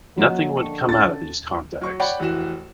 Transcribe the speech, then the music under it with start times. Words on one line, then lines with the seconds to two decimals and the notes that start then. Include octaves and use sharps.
Nothing would come out of these contacts.
0.18 F3 F#3 A#3 C#4 F#4 D#5
0.57 D3 G5 A5 C#6
0.89 C#4 A4 A6
1.81 F#3 C#6
2.00 C#5 D5 F#5 G5 B5
2.20 F1 E3 F#4 E7